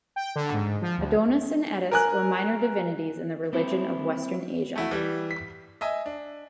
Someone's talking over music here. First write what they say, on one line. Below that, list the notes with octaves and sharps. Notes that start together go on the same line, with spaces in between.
Adonis and Attis were minor divinities in the religion of Western Asia.
G5
D3
G#2
F3
D2
A#4 G#5 F#6
G3 A#3 C4 E4 A4 C5
A3 E4 F#4
E3 G3
B6
D#5 E5 G#5 D#6
D4